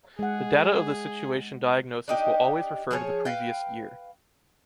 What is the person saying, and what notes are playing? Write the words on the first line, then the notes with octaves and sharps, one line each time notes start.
The data of the situation diagnosis will always refer to the previous year.
G#3 G#4 F#5
D4 D#4 G4
F3 G#4 A#4 C#5
B4 F5 G5